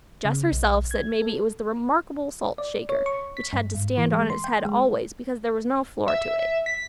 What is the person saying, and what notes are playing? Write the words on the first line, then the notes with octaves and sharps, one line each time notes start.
Jess herself said maybe it was the remarkable salt shaker which had to stand on its head always, because there was no floor to it.
C#3
B1
G#6
A4
D5
C#5
C#6
B6
G2
G#2
E3
G#3
C6
G5
G#3
E5
B6